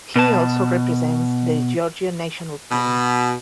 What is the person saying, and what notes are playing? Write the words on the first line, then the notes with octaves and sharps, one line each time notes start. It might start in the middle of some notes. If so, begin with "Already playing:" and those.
He also represents the Georgia national team.
B2 A5
B2